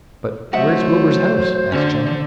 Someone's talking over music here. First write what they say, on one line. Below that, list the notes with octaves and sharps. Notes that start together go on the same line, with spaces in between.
"But where's Wilbur's house?" asked John.
F#3 A3 C5 D#5 E5 F#5
D3 C#4